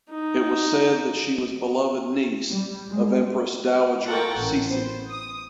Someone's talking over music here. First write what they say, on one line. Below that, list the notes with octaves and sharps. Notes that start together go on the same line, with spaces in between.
It was said that she was beloved niece of Empress Dowager Cixi.
D#4
G3
G#3
F4 A4 A#4 F#5 G5 C#6
A1
B3 C5
D#6